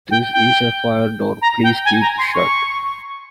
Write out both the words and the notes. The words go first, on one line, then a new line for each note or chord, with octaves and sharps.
This is a Fire door, please keep shut.
G5
G5
A#5
G5
G#5
A#5
C6
C#6